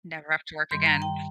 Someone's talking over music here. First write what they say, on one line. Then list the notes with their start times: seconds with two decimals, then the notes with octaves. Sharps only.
Never have to work again.
0.71 G2 D#3 G3 C6
0.86 A#5
1.02 G5